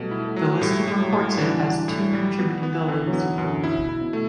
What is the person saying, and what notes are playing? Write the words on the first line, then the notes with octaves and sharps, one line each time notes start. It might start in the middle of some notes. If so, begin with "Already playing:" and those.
The listing reports it as two contributing buildings.
Already playing: B2 F#3 G3 A3
E4
A3
F#3
A2 G3
A2
F#3
A2
E3 D4
D4
A2
G3
B3
B3
D3 E3
F#3
B3
E3
F#2
D3
B2 E4
E4
B2
A3